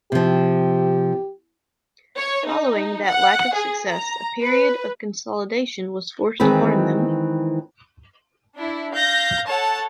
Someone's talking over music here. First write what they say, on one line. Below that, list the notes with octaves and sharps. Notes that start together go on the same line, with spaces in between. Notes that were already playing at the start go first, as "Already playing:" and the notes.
Following that lack of success, a period of consolidation was forced upon them.
C3 F3 G4
C#5
D#4
F#5
G#4
A#5
B4
D#3 E3 G#3 C4 B4
D4 E4
F5 G6 A#6
A4 C#5 F#5 A5